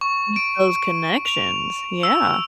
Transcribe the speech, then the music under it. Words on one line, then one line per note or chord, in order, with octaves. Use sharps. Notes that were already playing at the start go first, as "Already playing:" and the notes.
keep those connections. Yeah.
C#6
D7
F7
E6